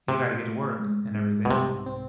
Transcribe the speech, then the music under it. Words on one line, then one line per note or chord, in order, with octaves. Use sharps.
you gotta get to work," and everything.
A2 C3
A2
G#2
G#2
B2
C2 C3
C4